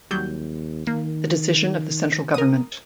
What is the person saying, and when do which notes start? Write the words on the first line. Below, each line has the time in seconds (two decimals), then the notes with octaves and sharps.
The decision of the Central government.
0.11 D#2 F#3 G3 G6
0.87 D#3 A#3
2.34 A#4 D#6